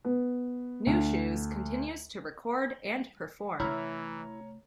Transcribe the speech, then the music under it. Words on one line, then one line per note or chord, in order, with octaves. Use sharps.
Nu Shooz continues to record and perform.
B3
D2
C3 E3 A3 E4 C#5 E5 A#5 F6